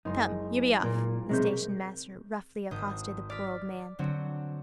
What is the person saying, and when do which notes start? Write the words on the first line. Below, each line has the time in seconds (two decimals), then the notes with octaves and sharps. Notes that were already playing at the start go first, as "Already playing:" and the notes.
"Come, you be off!" the Station-master roughly accosted the poor old man.
0.05 F#1 G#3 D#4 C6
0.83 A#2 A#3 A#4
1.29 B1 C3 G#3 A#4 C#5 G6
2.71 G#1 D#6 G6
3.29 D5 F6 A6 B6
3.99 D3 F#3 C4 F#4